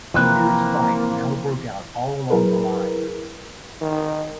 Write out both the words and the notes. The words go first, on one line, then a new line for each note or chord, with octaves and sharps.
A fierce fight now broke out all along the line.
C3 E3 F3 A#3 C4 B4
F#3 E4 G#4 A#4 B4
D#3